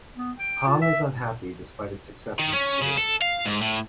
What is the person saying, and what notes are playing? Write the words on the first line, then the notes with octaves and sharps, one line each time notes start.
Hong is unhappy despite his success in his career.
B3
G5
F4
E5
D#3
C#4
C#3
A4
F5
G#2
A2